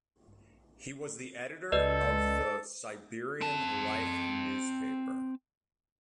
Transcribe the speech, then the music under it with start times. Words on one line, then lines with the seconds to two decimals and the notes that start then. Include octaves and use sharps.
He was the editor of the "Siberian Life" newspaper.
1.72 C#2 A4 B4 D5 D#5
3.41 C4 A5